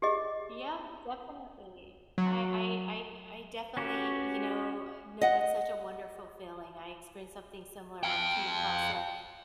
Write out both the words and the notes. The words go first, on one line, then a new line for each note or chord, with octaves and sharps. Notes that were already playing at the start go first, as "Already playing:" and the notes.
Yeah, definitely. I I I I definitely, you know no, that's such a wonderful feeling, I experienced something similar, I came across a
G4 G#4 D#5
F#3
C#4 F#4 G4 B4
D#5 F#5
F5 G5